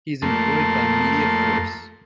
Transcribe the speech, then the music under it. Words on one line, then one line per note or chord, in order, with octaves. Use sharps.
He is employed by Media Force.
F2 A3 A#3 A4 C6